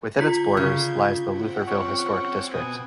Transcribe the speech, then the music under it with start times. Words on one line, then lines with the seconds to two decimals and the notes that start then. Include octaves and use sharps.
Within its borders lies the Lutherville Historic District.
0.19 D3 F4 G6 G#6 B6
0.57 C#3
1.25 C4 F#5 G5
1.67 C#4 C#5
2.54 B2 G#5 D#6